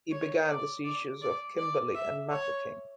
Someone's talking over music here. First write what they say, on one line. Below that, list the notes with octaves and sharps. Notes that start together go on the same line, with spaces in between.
He began the sieges of Kimberley and Mafeking.
C#5
D5
D5
D5
D5
E5
C#5